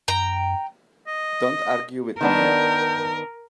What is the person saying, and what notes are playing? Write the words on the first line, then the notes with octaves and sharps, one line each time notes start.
Don't argue with me here.
F#2 G5 A#5
D#5
D#3 B3 D4 A#4 G5